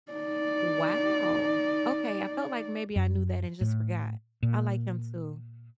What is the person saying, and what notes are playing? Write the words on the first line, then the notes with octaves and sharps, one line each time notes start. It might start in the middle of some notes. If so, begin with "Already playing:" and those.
Wow. Okay, I felt like maybe I knew that and just forgot. I like him too.
D#4 D5
F#2
A2
A#2